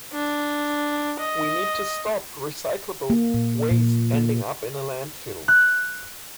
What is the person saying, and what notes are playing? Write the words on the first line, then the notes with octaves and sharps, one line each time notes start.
We need to stop recyclable waste ending up in a landfill.
D4
D#5
A#3
A#2
A#2
A#3
F#6